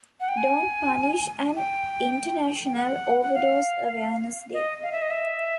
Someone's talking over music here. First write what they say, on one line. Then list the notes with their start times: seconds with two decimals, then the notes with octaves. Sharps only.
Don't Punish and International Overdose Awareness Day.
0.20 F#5
0.29 G5
0.37 G#5
1.56 G5
2.65 G5
2.75 F#5
3.23 F#5
3.35 F5
4.53 D#5
4.83 F5
4.92 E5
5.02 D#5
5.11 E5